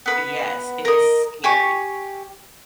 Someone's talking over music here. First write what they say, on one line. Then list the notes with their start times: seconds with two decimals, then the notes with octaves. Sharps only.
Yes, it is scary.
0.06 B3 B4
0.85 A#4 D#5
1.44 G4 G#5 C#6